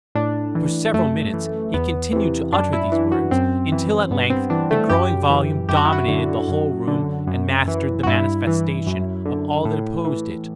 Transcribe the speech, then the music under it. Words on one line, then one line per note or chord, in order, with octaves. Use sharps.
For several minutes he continued to utter these words, until at length the growing volume dominated the whole room and mastered the manifestation of all that opposed it.
A2 D4
E3
F#2 A3
E3
E2 B3
C3 E3
F#2 D4
E4
E3
F#4
F#2 C4
E3
G2 B3
C4
E3 D4
A3
F#2 G4
E3
F#2 G4
F#4
E4
F#4
D3
F#2
D3
F#2
E3
F#4
G2 E4
E3
F#2
D3
A2
E3